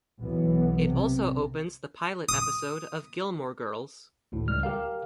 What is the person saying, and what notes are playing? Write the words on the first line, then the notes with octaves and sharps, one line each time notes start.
It also opens the "Pilot" episode of "Gilmore Girls".
B1 E3 B3
C3
D#6
G#1 D2 A2
C#2 G3 F6
G4 A#4 F5